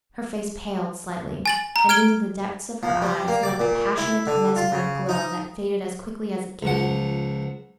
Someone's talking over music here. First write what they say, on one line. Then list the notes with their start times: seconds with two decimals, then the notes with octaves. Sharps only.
Her face paled slightly, and into the depths of her eyes leapt a passionate, mesmeric glow that faded as quickly as it came.
1.46 G#5 A6 F#7
1.76 A#5
1.89 F6 G#6 D7 G7
2.83 F3
3.02 G3
3.28 A#3
3.43 D5
3.60 A#2
3.98 E4
4.27 D3
4.56 F4
4.72 C#3
5.09 D#4
6.63 C#2 F3 F#5